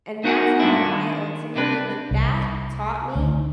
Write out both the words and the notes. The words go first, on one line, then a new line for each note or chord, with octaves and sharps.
and that's how I ultimately like, that taught me
B3 D#4 F#4 A#4 F#5 G#5
G2 A#2 A3 D4 E4
D#3
C3 G3 D4 B4
C2
D2